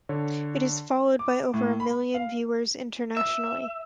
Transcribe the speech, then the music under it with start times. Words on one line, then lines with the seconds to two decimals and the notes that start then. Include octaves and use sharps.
It is followed by over a million viewers internationally.
0.09 D3 C#5
1.19 D6
1.54 A2
1.80 B5
2.14 F5
3.17 E5